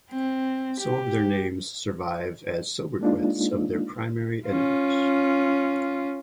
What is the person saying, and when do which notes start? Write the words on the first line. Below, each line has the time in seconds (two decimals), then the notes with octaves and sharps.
Some of their names survive as sobriquets of their primary editors.
0.11 C4
0.81 G4
3.01 G#3 A#3 D4 D#4 F4
4.48 C#4 F4